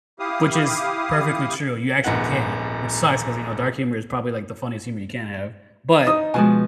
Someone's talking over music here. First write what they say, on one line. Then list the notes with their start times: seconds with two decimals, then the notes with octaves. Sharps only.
Which is perfectly true, you actually can't- which sucks 'cause, you know, dark humor is probably, like, the funniest humor you can have. But
0.19 E4 G4 F5 D#6
2.04 D#1 A#1 G#2 D#3 B3 F#5
6.07 D#4 D#6
6.34 B2 F3 G#3 G#5